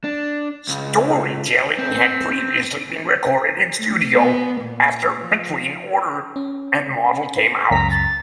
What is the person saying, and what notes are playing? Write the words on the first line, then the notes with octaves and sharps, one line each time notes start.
"Storytelling" had previously been recorded in studio after Between Order And Model came out.
D4
C#2
C4
A3
B3
A#2
F3
C#4
C#2 F#2 A#5 B6
A6